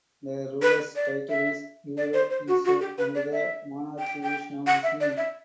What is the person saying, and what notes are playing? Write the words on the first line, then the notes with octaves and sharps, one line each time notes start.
The ruler's title is "Uro Eso" and the monarchy is now Muslim.
B4
D5
E5
D5
C5
C5
F#4
F#4
G4
B4
D5
E5
G5
G5
F#5
E5
D5
E5